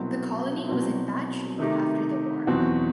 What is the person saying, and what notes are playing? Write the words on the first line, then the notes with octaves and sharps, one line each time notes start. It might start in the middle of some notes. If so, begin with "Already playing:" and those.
The colony was in bad shape after the war.
Already playing: C2 B2 F#3 C4
C2 B2 F#3 C4
C3 D#3 A3 D#4 G4
E2 B2 F#3 C4 F#4